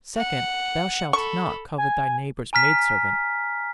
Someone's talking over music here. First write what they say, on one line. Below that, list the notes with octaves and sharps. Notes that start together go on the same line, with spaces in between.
Second, thou shalt not covet thy neighbor's maid-servant.
F#5
A4 B5 C#6
G#5
G#5 A#5 F6 B6